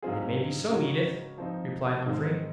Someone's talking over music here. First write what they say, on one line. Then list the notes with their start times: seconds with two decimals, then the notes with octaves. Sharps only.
"It may be so, Edith," replied Humphrey.
0.02 G#2 F#3 C4 F4 G#4
0.70 C#3 G#3 C#4 F#4 A#4
1.38 F3 C4 D#4
2.06 G#2 D#3 G#3 C4